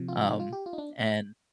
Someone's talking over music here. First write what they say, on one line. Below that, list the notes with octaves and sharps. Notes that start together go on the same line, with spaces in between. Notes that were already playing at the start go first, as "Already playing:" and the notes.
Um, and
Already playing: C3 F3
F4
D#4
F4
G4
F4
D#4
D4